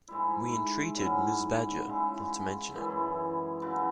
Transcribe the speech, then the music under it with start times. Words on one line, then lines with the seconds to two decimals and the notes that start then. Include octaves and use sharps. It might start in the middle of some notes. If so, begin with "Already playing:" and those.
We entreated Mrs. Badger not to mention it.
0.08 G#2 G#3 E4
0.97 G#2 F#3 C#4 E4
1.85 C#3 G#3 E4
2.74 F#2 E3 G#3 E4
3.62 C#3 F#3 E4